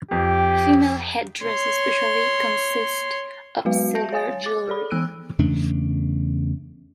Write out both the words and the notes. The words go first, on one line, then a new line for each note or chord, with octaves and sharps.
Female headdresses usually consist of silver jewelry.
F2 G4
C#5 C6
F#3 G#3 B3 F#4 B4 F5
E5 A5 G6 A#6 D7
C#5 F5 G#5 D#6 A6
D6 A6
G#4 A4 D5 B5
E3 B3 E6 F#6 D7 D#7
E2 C#3 A3 D4